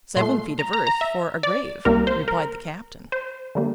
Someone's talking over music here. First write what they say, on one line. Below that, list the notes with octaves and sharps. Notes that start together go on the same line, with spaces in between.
'Seven feet of earth for a grave,' replied the captain.
A#2 A3 C6
A#5
A#5
A#5
E5
D5
C2 C3 G3 A#3 A#4
C5
A#4
C5
D3 G3 A#3